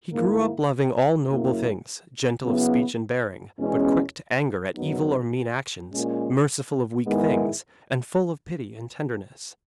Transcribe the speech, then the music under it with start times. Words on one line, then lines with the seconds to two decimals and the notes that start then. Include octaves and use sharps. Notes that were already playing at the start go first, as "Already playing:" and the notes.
He grew up loving all noble things, gentle of speech and bearing, but quick to anger at evil or mean actions, merciful of weak things, and full of pity and tenderness.
0.11 G#2 D#3 A#3 E4
1.27 F#2 C#3 F#3 A#3 E4
2.42 C#3 F#3 B3 E4
3.59 E2 B2 G#3 C#4
4.75 F#2 C#3 F#3 B3 D#4
5.91 A#2 G#3 C#4
7.07 G#2 D#3 G#3 B3 E4